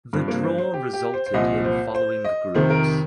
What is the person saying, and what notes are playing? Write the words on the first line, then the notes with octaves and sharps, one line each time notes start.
The draw resulted in following groups.
G2 F3 C4
A#3
C5
C5
G4
G4
C5
C5
C2 A#2 F3 D#5
C5
C5
D#5
F2 C3 D#3 C5
A#4